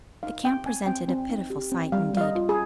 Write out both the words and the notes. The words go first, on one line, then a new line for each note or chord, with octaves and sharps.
The camp presented a pitiful sight, indeed.
D#4 F5
C4 G5
C4 G#5
C4 G5
C4
D#4
G4
C4
G3 F5
G3 F5
D#5
F4
G#4